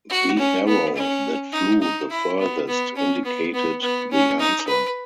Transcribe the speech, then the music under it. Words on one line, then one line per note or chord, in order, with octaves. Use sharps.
The arrow that flew the furthest indicated the answer.
F#4
C#4
B3
C#4
D#4
D#4
E4
B3
B3
C#4
B3
B3
B3
C#4
D#4
B4